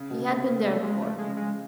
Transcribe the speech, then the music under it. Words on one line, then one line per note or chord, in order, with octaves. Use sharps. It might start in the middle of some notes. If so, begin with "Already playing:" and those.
He had been there before.
Already playing: C#3
B2
C#3
C3
C#3
A3
C#3
G#3
F3 A3
G#3
C#3
G#3